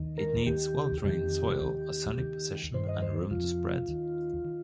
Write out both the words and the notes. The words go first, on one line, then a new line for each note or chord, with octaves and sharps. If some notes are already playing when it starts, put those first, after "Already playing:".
It needs well-drained soil, a sunny position, and room to spread.
Already playing: D#2 D#3
A#4
D#2 D#3 G4
F2 C3 D#3 G4
D#2 D#3
D#2 D#3
G2 D#3 C5
D#5
C5
F2 C3 F3 F4
D#2 D#3
D#3